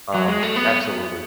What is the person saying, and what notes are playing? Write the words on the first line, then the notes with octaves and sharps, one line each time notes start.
um, absolutely.
F#3
G#3
A3
B3